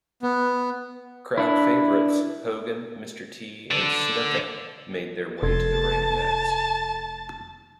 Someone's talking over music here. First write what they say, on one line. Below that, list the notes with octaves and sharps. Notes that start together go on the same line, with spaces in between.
Crowd favorites Hogan, Mr. T, and Snuka made their way to the ring next.
B3
D4 E4
D3
F1 A4 A5 C6 G#6